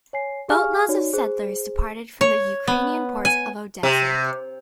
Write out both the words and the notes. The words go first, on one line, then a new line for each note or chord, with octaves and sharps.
Boatloads of settlers departed from the Ukrainian port of Odessa.
C#5 G#5 C7
G4 G#4 F5 G#5 C#6 F6
D#4 F#4 C#5 D5
G#4 C5
C#5
B3
G#5
C3